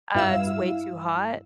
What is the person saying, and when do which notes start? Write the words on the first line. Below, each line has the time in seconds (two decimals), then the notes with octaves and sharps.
Uh, it's way too hot.
0.15 G2 E4 F5 E6